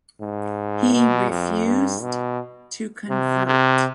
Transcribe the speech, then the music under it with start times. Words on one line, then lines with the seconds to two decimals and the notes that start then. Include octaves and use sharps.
He refused to convert.
0.21 G#2
0.94 B2
1.29 F2
1.66 G2
2.01 B2
3.09 C3
3.47 C3